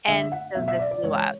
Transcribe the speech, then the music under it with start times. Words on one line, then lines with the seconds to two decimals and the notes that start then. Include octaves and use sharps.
And so this blew up.
0.08 D3 A3 E5
0.32 F#5
0.55 B2 F#3 A3 E5
0.68 E5
0.79 D5
0.91 D5
1.03 C#3 E3 G#3 C#5